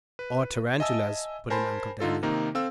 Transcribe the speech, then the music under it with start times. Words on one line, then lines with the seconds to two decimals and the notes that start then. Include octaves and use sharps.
"Or tarantulas," put in Uncle Daniel.
0.19 B4
0.80 D#5 E5 G#5 A5 D#6 E6
1.50 A#4 C5 G#5 A5 B5 C6
2.00 D3 D#4 F4 A4
2.23 C3 D#3 A#3 D#4
2.55 C4 A4 F5 E6